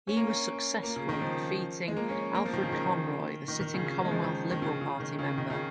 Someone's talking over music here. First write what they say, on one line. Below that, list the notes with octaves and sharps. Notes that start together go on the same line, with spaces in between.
He was successful, defeating Alfred Conroy, the sitting Commonwealth Liberal Party member.
C#4
A#3
C#4
A#3
C#3
D#3
F3
G#3
A#3
C#4
A#3
F3
D#3
C#3
D#3
D#3
D#3
C#3
C#3
D#3
G#3
F3
D#3
D#3
C#3
C#3
D#3
C#3
D#3
C#3